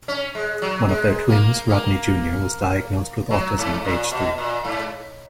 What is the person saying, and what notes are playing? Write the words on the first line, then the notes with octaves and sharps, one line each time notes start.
One of their twins, Rodney Junior was diagnosed with autism at age three.
C#4
G#3
F#3
G#3
A#3
A#3
F#3
G#2
A#2
B2
A#2
G#2